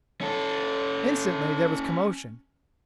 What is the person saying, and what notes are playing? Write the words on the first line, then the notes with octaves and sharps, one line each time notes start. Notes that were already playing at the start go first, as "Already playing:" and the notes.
Instantly there was commotion.
C#4 A4